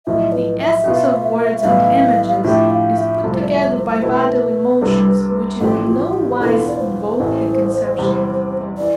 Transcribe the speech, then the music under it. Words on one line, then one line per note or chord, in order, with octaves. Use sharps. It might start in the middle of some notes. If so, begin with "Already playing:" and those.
The essence of words and images is put together by bodily motions, which in no wise involve the conception of thought.
B1 A2 F3 E5
B4
E5
B2 B3 F4
E5
B1 A2 E3 B3 E4 F5
A2 F3 A3 D4 G4 E5
F5
E5
C2 C3 F3 A3
C5
D5
E5
C5
B2 A3 E4 B4
C2 C3 G3 D4 A4
A1 A2 F3 C4 G4 A4
F4
G4
E2 B2 B3 D4 F4 A4
D5
C5
A1 A2 E3 A3
E2 C3 G3 C4
E3 D5